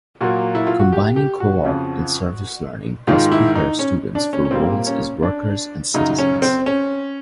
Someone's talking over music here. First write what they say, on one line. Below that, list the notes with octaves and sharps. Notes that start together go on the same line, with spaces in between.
Combining co-op and service learning thus prepares students for roles as workers and citizens.
A#2 F#3 A#3 F#4
E4
F4
F#4
G4
G4
F#4
F2 C#3 F3
G#2 D#3 G#3 F4
E4
D#4
C#4
D4
C#4
C#4
A#2 G3 A#3 C4
C#4
D4
F#2 C#3 F#3 D#4
C#4
C4
C#4